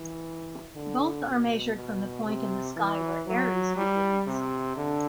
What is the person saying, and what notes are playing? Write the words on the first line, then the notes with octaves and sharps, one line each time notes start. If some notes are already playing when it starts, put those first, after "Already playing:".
Both are measured from the point in the sky where Aries begins.
Already playing: E3
D3
B2
B2
C3
E3
F#3
G3
C3
D3